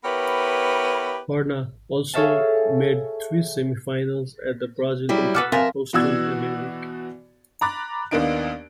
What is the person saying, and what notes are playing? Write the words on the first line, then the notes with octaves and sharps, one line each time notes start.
Horna also made three semi finals at the Brazil Open, Houston and Munich.
B3 E4 G4 A#4 B4 C#5
G#4 A4 C#5 E5 F5 A5
F#3 G3 E4
F#4 A4 B4 F#5 D6 F6
F3 C4 A#4 E5 G#5 A6
B2 E3 F#4 D5 E6 G#6
A#5 B5 D6 F#6 A6
D#2 A#3 B3 D4 D#4 D7